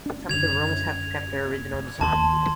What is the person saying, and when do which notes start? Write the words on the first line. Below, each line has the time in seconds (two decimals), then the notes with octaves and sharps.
Some of the rooms have kept their original design.
0.06 D4
0.29 F#2 D3 G#6 F7
2.01 D#2 A5 C6